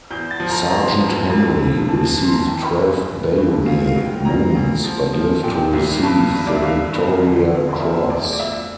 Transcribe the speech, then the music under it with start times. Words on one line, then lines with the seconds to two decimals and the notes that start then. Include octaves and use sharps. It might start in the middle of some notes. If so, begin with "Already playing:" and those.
Sergeant Henry received twelve bayonet wounds but lived to receive the Victoria Cross.
0.11 E2 G6
0.31 A6
0.40 F3
0.50 A#5
0.69 E2 A#5
0.79 C6
0.88 A#5
0.99 F3
1.29 F2
1.59 F2
1.88 E3 A5
2.17 F2
2.25 C6
2.32 A#5
2.39 A5
2.47 E3 G5
2.77 G2
3.06 G2
3.37 G2
3.65 D2 F5
3.85 F5
3.96 D2
4.05 G5
4.25 D2 A#5
4.55 D2
4.84 F3
5.13 F3
5.43 A#2 G5
5.73 C2
6.03 G2 A5
6.32 G2
6.47 D5
6.54 E5
6.62 G2 F5
6.92 G2
7.21 D3
7.50 D3
7.71 D5
7.80 F3 E5
8.10 D2 D5
8.33 D5
8.39 F2 E5